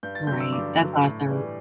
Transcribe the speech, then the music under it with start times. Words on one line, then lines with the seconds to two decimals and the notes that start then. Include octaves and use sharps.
Right, that's awesome.
0.03 G2 G6
0.15 A6
0.27 D3 F#3 G6
0.40 E6
0.52 G2 D6
0.78 D3 F#3
1.03 A2
1.29 E3 G3